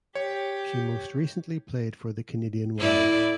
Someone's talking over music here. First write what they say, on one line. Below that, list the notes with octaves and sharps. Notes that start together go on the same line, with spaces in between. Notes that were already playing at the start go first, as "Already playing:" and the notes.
She most recently played for the Canadian Wild.
G4 C#5
A2 E4 D5